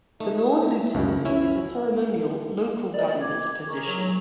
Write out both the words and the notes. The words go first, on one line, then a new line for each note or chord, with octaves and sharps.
The Lord Lieutenant is a ceremonial local government position.
A3 D#4
E4
C#2 F#2
C#4 E4
A#4 C5 D5 D#5
D6 G#6
G#4 A#4 C#6
F#3